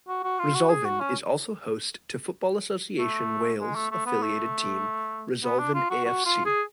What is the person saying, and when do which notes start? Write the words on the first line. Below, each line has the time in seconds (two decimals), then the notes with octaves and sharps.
Resolven is also host to Football Association Wales affiliated team Resolven AfC.
0.08 F#4
0.24 F#4
0.39 F4
0.55 F#4
0.69 G#4
0.85 F#4
1.00 C#4
2.99 A3
3.60 G#3
3.75 A3
3.91 A3
4.06 B3
4.22 A3
5.44 B3
5.59 D4
5.74 F4
5.90 F#4
6.05 F#4
6.25 F4
6.46 G#4